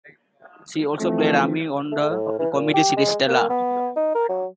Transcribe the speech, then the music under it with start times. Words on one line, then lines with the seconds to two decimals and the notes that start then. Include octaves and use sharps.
She also played Amy on the comedy series "Stella".
0.99 E3 F3 A3 C4
1.92 A3
2.10 A2
2.39 E3
2.54 A#2
2.74 G4
2.97 G#3
3.28 A#3
3.50 B3
3.96 D#4
4.15 A#4
4.29 F#3